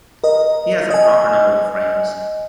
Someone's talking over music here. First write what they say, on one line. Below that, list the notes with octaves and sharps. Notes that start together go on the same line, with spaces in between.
He has a proper number of frames.
A#4 D#5
D#5 G#5